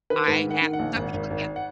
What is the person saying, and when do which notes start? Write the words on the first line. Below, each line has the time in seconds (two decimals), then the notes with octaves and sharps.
I have some people can,
0.10 D#3 B4
0.28 G#2 B4
0.45 D#3
0.51 F#5
0.62 D#3
0.73 F#5
0.79 A#1
0.96 G#1
1.13 G#1
1.30 G#1
1.56 F#5